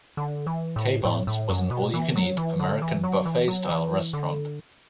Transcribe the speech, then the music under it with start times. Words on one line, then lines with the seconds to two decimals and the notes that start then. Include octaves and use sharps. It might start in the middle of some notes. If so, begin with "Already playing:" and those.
Taybarns was an all-you-can-eat American buffet-style restaurant.
0.17 D3
0.47 E3
0.76 A2
1.05 A2
1.27 A2
1.49 F#2
1.71 B2
1.94 E3
2.16 F#3
2.37 E3
2.60 D3
2.82 E3
3.04 F#3
3.26 E3
3.48 F#3
3.69 E3
4.13 D3